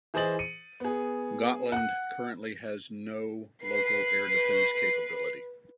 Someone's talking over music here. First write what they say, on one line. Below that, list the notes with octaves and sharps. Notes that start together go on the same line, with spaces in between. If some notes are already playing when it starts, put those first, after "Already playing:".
Gotland currently has no local air defence capability.
E3 G#4 C5 D#5 A6 F#7
C#7 D#7
B3 G#4
F#5 F#6
B4 C7